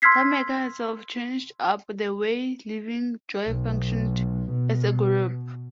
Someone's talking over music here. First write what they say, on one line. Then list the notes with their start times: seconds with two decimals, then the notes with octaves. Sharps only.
Tameka herself changed up the way Livin' Joy functioned as a group.
0.02 C6 E6 F6 G#6 B6 C7
3.49 B1
4.50 B2